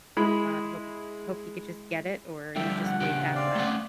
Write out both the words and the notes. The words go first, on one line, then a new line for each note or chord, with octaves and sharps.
"God, I hope he I hope he could just get it," or are you just way past that?
G#3 E4 B5
D3 F3 G3 E5 G5
F#5
C#3 D4 G4
C4 D5 F5
A3 C#4 F#5